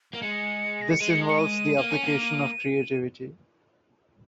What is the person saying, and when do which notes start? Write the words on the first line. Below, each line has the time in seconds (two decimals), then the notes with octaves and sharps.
This involves the application of creativity.
0.13 A#3
0.22 G#3 C#7
0.82 A#6
0.91 C#7
1.00 G#3 D#7
1.10 C#7
1.29 C#7
1.39 D#7
1.78 A#3
1.91 C#4
2.04 A#3